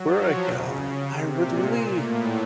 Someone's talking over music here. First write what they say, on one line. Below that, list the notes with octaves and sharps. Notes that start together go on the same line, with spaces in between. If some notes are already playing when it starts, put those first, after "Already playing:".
where would I go? I would really
Already playing: F#3
F3
C#3
C#3
C3
A#2
A2